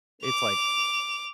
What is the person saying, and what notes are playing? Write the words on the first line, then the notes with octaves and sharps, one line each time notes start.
it's, like,
D6 F7